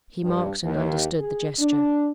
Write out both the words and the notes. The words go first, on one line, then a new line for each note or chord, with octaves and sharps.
He marked and understood the gesture.
G2
D#2
G#4
D4